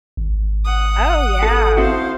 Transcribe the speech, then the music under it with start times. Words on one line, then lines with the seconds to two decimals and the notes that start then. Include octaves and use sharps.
Oh, yeah.
0.17 G#1
0.64 F#5 D#6
1.43 A4
1.77 C4 E4 F#4 C5 F5